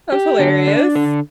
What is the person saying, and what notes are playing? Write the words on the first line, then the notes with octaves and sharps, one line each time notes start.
That's hilarious.
G4
D3
D4
D3